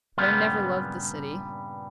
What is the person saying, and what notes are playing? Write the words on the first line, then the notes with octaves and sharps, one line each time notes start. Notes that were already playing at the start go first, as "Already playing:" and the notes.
But I never loved the city.
G2 A#2 C#3 G3 B3 F4